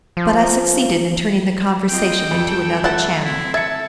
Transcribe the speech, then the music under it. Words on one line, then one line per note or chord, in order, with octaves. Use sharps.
But I succeeded in turning the conversation into another channel.
F3
C4 F4 D#5 G5
F2 G3 A4
A3 F#5 A5
C4 E4
A4 E5 A5 G#6 C#7